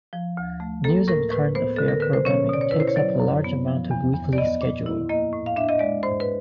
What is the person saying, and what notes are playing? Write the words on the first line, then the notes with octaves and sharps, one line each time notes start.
News and current affairs programming takes up a large amount of the weekly schedule.
F3
D2
A3
A#3 A4
A2 A#4
A2 B4
B3 C5
D3 A4
A#4
D3 B4
C5
C#4 C#5
B2 D5
C#5
E4 B4
C5
C#5
F#3 D5
F#2
B3
F3
E2
E2
D5
B3 D#5
A#2
E4
A#3 D#5
A2
F5
D4 E5
D#5
G#3 D5
G#2 C5
B4